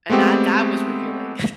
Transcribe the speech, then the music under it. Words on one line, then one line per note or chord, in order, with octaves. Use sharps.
And that that was revealing.
G#3 A3 B3 C4 G4